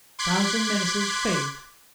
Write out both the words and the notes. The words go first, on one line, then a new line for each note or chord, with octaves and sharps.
Frowns and menaces failed.
C6 D6 F#6 G#6 B6